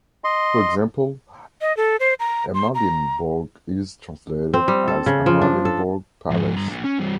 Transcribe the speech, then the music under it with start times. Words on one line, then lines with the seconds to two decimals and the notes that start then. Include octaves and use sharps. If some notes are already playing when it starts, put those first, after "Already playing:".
For example, Amalienborg is translated as Amalienborg Palace.
0.24 D#5 C6
1.61 D#5
1.77 A4
2.00 C5
2.20 A#5
2.54 C6
2.75 A#5
4.54 C4
4.68 G3
4.88 A4
5.06 C#3
5.26 F3
5.42 D4
5.65 A4
6.31 G#2 F3
6.56 G2 A#5
6.68 A#3 D4
6.84 C#4
6.99 G2 C4